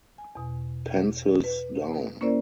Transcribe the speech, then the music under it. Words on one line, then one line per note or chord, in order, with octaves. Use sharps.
Pencils down.
G#5
E2 B2
B4
A#3 C#4 E4 A#4 C5 D5